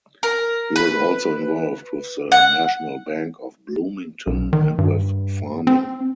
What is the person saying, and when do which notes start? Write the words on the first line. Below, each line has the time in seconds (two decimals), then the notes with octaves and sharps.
He was also involved with the National Bank of Bloomington and with farming.
0.23 A#4
0.76 B4
2.32 F#5
4.27 B1
4.53 D#3
4.78 G2
5.67 C4